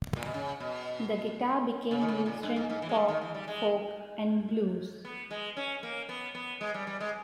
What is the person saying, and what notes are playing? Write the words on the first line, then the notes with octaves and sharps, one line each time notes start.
The guitar became used in pop, folk, and blues.
A#2
B2
C#3
B2
C#3
D#3
C#3
A#2
G2
G#2
G#2
E3
G#3
G3
D#3
E3
G3
G#3
B3
G#3
C#4
A#3
B3
B3
G#3
G3
G3
G#3